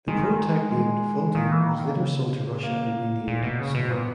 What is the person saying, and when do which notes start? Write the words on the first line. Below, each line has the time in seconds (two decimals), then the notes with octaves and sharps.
The prototype, named "Fulton", was later sold to Russia, and renamed "Som".
0.08 D#3 G#3
0.71 G#3
1.26 E3
1.35 D#3 A#3
1.52 E3
1.67 D#3
1.84 C#3
2.63 A#3
3.28 A#2
3.43 B2
3.59 C#3
3.75 B2
3.91 A#2 B3